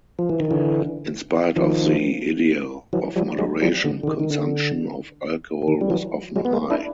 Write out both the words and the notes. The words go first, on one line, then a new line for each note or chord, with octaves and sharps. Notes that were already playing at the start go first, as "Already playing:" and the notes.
In spite of the ideal of moderation, consumption of alcohol was often high.
F3
E3
D#3
D3 E3
D#3 F3
E3 F#3
F3 G3
F#3 G#3
F3 G3
D3
D3
D#3
D#3
D3
D#3
G3
E3 F#3
F#3 G#3
B3
G#3 A#3
D4 E4